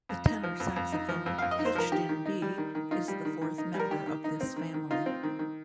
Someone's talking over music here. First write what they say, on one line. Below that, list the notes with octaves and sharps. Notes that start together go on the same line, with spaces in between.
The tenor saxophone, pitched in B, is the fourth member of this family.
F2
D#4
F3
F2
F2
D#4
F3
F2
F2 F5
D#5
D#4
C5
F3 A#4
D#3 G4
D#3
D#4
G3
D#3
D#3
D#4 F4
G3
D#3
D#3
D#4
G3
A#4
D#3 G4
D#3
D#4
C4
D#3
D#3
D#4 F4
C4
D#3
D#3